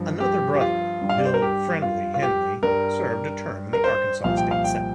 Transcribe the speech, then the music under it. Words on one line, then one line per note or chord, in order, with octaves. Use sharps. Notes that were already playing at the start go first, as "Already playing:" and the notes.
Another brother, Bill "Friendly" Henley, served a term in the Arkansas State Senate.
Already playing: G2 F3
G4
G4
F4
G2 G3
F5
D5
C5
A#4
G4
F4
F4
G4
G2 G3 A#4
A#4
C5
C2 A#2 F3 F5
G5
F5
G5